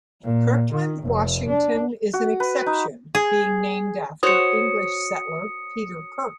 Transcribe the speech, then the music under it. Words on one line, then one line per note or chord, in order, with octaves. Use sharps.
Kirkland, Washington is an exception, being named after English settler Peter Kirk.
A#2
D#3
F1
D4
F#4
B4
D#4
G#4
F#4 C5 C#5 D#6 C#7